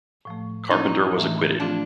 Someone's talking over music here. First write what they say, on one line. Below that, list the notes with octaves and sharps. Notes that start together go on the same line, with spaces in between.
Carpenter was acquitted.
A2 F3 A3
F3 A#3 C#4 D#4 E4
A2 E3 A3
F3 A3 C4 D4 F4